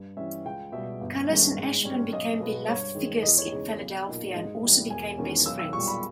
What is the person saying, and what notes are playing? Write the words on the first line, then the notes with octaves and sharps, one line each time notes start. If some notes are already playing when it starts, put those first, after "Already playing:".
Kalas and Ashburn became beloved figures in Philadelphia, and also became best friends.
Already playing: G2
E3 G3 C#4 E5
C#2 G5
B2 G3 E5
G1
G2 D#3 G#3 C#4
G#2
G3 C#4
B1 D#5
B2 G#3 B3
G2 C#5
D#3 G#3
E2 D#5
C#5
C#3 G#3 D#4
B1
A#2 A#3 D#4
G#2 D#5
E3 G3 B3 D#4
E1 G#5
E2 D#3 A#3 C#4
B1 E6
E6
A#2 G3 C#6
B5